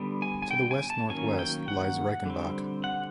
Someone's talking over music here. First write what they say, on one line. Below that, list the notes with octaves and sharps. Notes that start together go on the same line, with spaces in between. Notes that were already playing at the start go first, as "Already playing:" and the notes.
To the west-northwest lies Reichenbach.
Already playing: D3 G3 B3
G#5
G#5
G5
G#5
A5
D#3 F#3 A#3 C#4 G#5
G5
F#5
D3 G3 C4
F#5